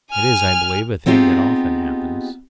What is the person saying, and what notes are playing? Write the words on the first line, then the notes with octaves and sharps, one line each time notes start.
It is, I believe, a thing that often happens.
G#5 F6
B3 C4 D#4 F4 G4 G#4